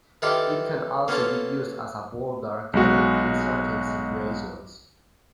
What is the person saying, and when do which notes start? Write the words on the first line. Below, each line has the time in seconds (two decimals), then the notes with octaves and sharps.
It can also be used as a border came in certain situations.
0.22 D#3 E3 F4 G4 A4 D5
1.08 A#3 B3 C#4 F4 A4
2.73 B1 G#3 F#4